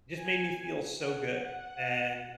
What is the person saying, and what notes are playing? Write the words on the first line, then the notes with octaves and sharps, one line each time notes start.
just made me feel so good. And
G#5
F#5
F#5